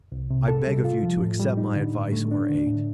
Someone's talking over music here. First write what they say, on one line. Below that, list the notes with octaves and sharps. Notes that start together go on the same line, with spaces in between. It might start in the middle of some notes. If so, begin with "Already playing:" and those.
I beg of you to accept my advice or aid.
C2
C3
A4
G3
F4
F3
A2
G3
D#4
D3
A2
A3
D4
D3
A2